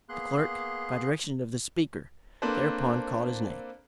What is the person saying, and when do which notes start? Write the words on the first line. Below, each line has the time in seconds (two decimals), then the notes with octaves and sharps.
The clerk, by direction of the Speaker, thereupon called his name.
0.09 A#3 B3 G#4 C6 F#6
2.42 A#3 C4 D4 A4 B4 C5